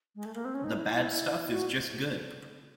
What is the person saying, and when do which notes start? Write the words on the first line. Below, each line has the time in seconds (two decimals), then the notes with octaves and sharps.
The bad stuff is just good.
0.15 G#3
0.25 A3
0.35 A#3
0.45 C4
0.54 C#4
0.64 D#4
0.78 E4
0.93 E4
1.52 F#4